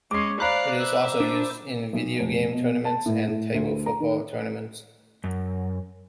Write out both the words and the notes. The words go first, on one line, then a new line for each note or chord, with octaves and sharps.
It is also used in video game tournaments and table football tournaments.
G#3 C#4 D6 C7
C5 D5 F5 A#5 B5 D6 F#6
E5
D4
B1
F1
B2
A5
A2
A2
D2
A#5
D#3
F#2